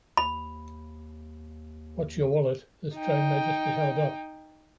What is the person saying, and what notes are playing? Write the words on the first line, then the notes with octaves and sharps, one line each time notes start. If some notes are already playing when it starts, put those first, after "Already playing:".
Watch your wallet - this train may just be held up!
D#2 B5
D#4 G5